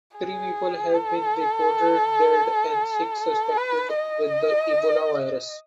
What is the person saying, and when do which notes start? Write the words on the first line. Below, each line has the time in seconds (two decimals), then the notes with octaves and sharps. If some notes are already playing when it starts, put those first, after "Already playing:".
Three people have been reported dead and six suspected with the Ebola virus.
0.17 G#4
0.94 A4
3.20 A4
3.57 B4
3.96 D#5